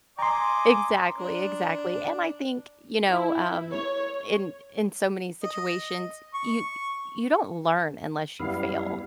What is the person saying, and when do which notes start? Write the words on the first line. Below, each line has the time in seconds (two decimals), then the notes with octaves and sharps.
Exactly, exactly, and I think, you know, um, in in so, many situations, you y you don't learn unless you fail,
0.19 D#5 G#5 A#5 C6 D6
1.16 D4
3.09 E4
3.72 C#5
5.43 D#5
6.34 C#6
8.39 F#2 G3 B3 E4 F5